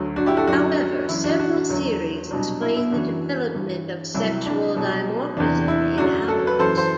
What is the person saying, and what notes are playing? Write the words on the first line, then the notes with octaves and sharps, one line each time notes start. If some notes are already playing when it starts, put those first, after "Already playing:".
However, several theories explain the development of sexual dimorphism in owls.
Already playing: D2 D3 F#3
D4 F#4
E4 G4
F#4 A4
F#2 D3 F#3 D4 F#4
F#2 E3 E4
D4 F#4
D4 F#4
E2 D3 F#3
C2 B2 F#3 D4
E4
E4
F#2 E3 D4 F#4
G2 E3
C2 C3 F#3 E4
D4
C2 B2 F#3
E2 C3 E3 D4
E4
F#2 D3 F#3 D4 F#4
F#4 A4
B4
F#2 E3 A4 C5
C5